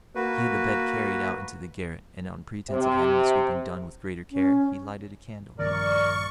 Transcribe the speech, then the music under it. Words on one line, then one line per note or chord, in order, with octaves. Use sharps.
He had the bed carried out into the garret, and on pretence of having the sweeping done with greater care, he lighted a candle.
A#3 F#4 B4
C3
C#4
A#1 G2 D#3 A#4 D5 C#6